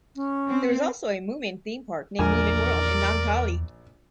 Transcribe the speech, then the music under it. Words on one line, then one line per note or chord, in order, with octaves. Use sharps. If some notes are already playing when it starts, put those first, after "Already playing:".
There is also a Moomin theme park named Moomin World in Naantali.
C#4
C4
A#1 E2 A#4 D5 G#5